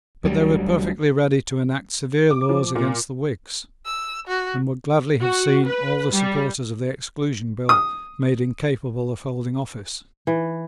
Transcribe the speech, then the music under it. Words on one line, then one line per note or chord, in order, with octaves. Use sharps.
But they were perfectly ready to enact severe laws against the Whigs, and would gladly have seen all the supporters of the Exclusion Bill made incapable of holding office.
D2 F#3 G3
D6
F3
A#2
E6
F#4
F#4
B4
G3
D#6
E3